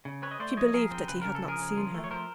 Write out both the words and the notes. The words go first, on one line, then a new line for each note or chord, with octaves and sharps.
She believed that he had not seen her.
C#3
C4 B4 C#5
D#5
A3 C5 D5
F3 C#5 D#5
F3 G#4 A#4
C4
C#3 B4
C#3 A#4
A4
F3
G#4 A#4
C#3
F3
A3
C#5
F3 A#4 C5